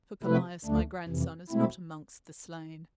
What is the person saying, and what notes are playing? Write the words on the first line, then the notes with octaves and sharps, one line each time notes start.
For Callias, my grandson, is not amongst the slain.
C3 F3 A3 E4 B4
D2 D3 A3 D4
F2 C3 E3
B2 A3 C4 E4